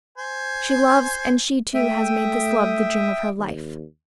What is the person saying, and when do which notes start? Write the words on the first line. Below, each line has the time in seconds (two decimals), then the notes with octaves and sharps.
She loves, and she, too, has made this love the dream of her life.
0.18 C5 G#5
1.74 A3 E5 G5 D#6
3.39 D#2